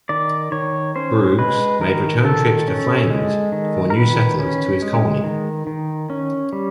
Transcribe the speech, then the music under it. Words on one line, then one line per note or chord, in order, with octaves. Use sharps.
Bruges made return trips to Flanders for new settlers to his colony.
D#3 D5
D#3 C#5
C#4 C5
G#3 B4
D#3 A#4
D#3 A4
C#4
G#3
D#3
A#4
D#3 B4
C#4
G#3
D#3
D#3
C#4
G3